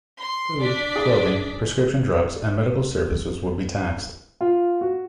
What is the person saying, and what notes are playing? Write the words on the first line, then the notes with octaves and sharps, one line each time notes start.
Food, clothing, prescription drugs and medical services would be taxed.
C6
D4 D5 B6
G#4
F4
F#4